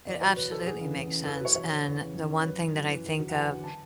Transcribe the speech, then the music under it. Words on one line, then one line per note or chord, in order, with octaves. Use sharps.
It absolutely makes sense, and the one thing that I think of
E2 D5
B2 F#3 C#5
E2 B4
B2 F#3 A4
E2 G#4
C#3 E3
E2
C#3 E3
E2 A4
B4
B2 F#3 C#5
E2 C#5
B2 F#3
E2
C#3 E3
E2
C#3 E3
F#2 B4
E3
F#2
E3
E2
D3 F#3
F#5
E2 G#5
D3 F#3
A5